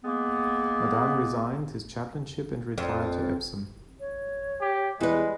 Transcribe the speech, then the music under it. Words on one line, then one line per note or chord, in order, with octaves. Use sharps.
Madan resigned his chaplainship and retired to Epsom.
G#3 A#3 B3
F2
C#5
G4
E2 G3 G#3 B4